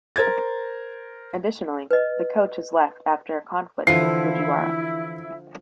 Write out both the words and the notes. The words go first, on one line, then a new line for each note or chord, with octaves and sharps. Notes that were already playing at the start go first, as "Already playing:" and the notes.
Additionally, the coach has left after a conflict with Fujiwara.
A#4 C5 G#6 A6
B4 D#5
D3 E3 F3 E4 C7